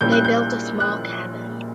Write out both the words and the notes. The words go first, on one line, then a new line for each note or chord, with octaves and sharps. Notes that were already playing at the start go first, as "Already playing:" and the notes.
They built a small cabin.
A#1 A#2 G3 C#4 E4 G6
F#6
G6
F#6